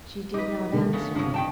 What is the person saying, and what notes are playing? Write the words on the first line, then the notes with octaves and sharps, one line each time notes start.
She did not answer me.
D#4 B4 D6
D3 D#3 A3
C#3 B3
G1 F3 F#3
D#3 G5 A5